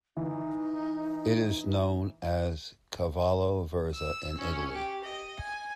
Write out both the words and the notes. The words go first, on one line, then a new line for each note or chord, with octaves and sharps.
It is known as 'cavolo verza' in Italy.
E3 D#4
E6
C#4
G4
D#5
G#5